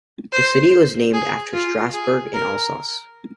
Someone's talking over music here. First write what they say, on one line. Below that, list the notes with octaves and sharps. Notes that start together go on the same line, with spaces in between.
The city was named after Strassburg, in Alsace.
C5
G#4
F4
G#4
A#4